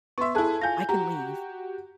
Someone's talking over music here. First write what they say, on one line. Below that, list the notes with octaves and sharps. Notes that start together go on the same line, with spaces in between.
"I can leave."
B3 E5 C6 C#6
E4 G#4 A4 A5 F#6
F4 G#5 G6 A#6
F#4 G4 A#5